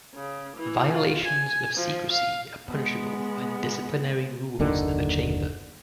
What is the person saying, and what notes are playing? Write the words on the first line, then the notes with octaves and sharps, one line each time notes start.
Violations of secrecy are punishable by the disciplinary rules of a chamber.
C#3
E3
F4
G#5
F3
F5
G#3 B3
F#1 D#2 D3 D#3